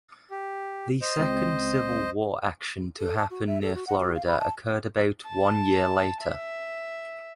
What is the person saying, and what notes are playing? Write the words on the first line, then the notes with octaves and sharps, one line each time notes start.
The second Civil War action to happen near Florida occurred about one year later.
G4
C5 D#5
C#2 C4
A4
A5
F#4
E5
A4
F#4
F#5
F#4
F5
B5
A5
A5
E5